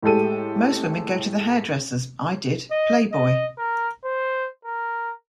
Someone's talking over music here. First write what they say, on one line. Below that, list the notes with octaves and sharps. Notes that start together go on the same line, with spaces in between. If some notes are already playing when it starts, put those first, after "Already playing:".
Most women go to the hairdressers - I did "Playboy".
A2 G#3 G4 A4 D#7
D#5
D#5
A#4
C5
A#4